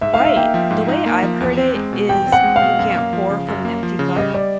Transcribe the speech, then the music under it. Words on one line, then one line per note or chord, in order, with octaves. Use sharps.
Right. The way I've heard it is you can't pour from an empty cup,
G#2 E5
F5
D#4 E5
A#3 G5
F3
G#2
D#4
A#3
F3
E2
C4
G#3
B2
E2 G5
C4
F#5
G#3
F5
B2
F#2
A#3
F3
C#3
F#2
A#3
F3
C#3
G3 D#5
G3 D5